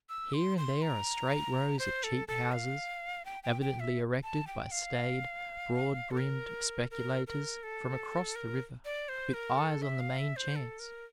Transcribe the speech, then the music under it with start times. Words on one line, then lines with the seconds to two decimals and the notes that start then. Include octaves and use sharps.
Here and there are straight rows of cheap houses, evidently erected by staid, broad-brimmed speculators from across the river, with eyes on the main chance.
0.09 E6
0.34 C6
0.58 C6
0.82 A#5
1.79 C5
2.04 A4
2.28 A4
2.52 F5
3.25 G5
3.43 G5
3.61 G5
3.80 E5
4.23 A5
4.47 G5
4.71 F5
6.11 A4
6.17 A#4
6.91 A#4
7.27 A#4
7.63 A4
8.36 A#4
8.85 D5
9.09 C5
9.34 A#4
9.58 A4
9.82 E5
10.00 F5
10.19 E5
10.36 C5
10.56 A4
10.80 A#4